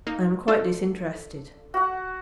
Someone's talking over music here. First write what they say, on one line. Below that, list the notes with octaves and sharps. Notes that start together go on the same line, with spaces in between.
I am quite disinterested.'
A#3 D#4
D4 F4 A4
F#4 F#5